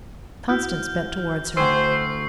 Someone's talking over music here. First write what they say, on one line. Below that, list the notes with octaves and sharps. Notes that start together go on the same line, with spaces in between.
Constance bent towards her.
E4 F#4 F6 G6
D2 C5 G5 G#5 C#6 E6 C7